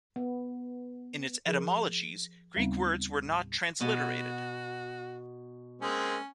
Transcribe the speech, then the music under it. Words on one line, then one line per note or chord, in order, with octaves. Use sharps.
In its etymologies, Greek words were not transliterated.
B3
F3 G#4 A#4
D#2 C#3 G3 B3 C4 D#4
A2
B2 F#4
G#3 A#3 C4 C#4